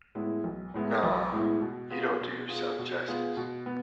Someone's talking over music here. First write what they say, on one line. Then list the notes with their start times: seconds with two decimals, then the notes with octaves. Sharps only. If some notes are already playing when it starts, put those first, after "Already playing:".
No, you don't do yourself justice.
0.15 A2 G#3 B3 E4
0.44 B1
0.74 A2 G#3 B3 E4
1.03 B1
1.32 A2 G#3 B3 E4
1.62 B2
1.90 B3 F4 G#4
2.20 B2
2.49 B3 F4 G#4
2.79 B2
3.08 B3 F4 G#4
3.37 B2
3.66 B3